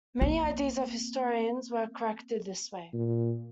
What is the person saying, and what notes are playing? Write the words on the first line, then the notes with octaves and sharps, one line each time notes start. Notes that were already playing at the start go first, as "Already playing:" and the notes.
Many ideas of historians were corrected this way.
A#3 C4
A#2